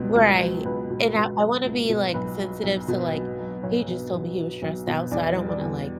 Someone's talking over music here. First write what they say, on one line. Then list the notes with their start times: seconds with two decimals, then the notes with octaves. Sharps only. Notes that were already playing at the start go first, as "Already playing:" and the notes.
right, and I I wanna be, like, sensitive to, like he just told me he was stressed out, so I don't wanna, like,
Already playing: C#2 B2
0.15 C#2
0.41 F#3
0.65 C#2 B4
0.90 B2
1.15 C#2
1.39 F#3
1.65 C#2
1.89 B2
2.14 B1 B4
2.39 F#3
2.63 B1
2.88 B2
3.14 B1
3.38 F#3
3.63 B1 C#5
3.88 B2
4.12 B1
4.37 F#3
4.62 B1
4.87 B2
5.11 E2 D5
5.37 G3
5.49 D5
5.61 E2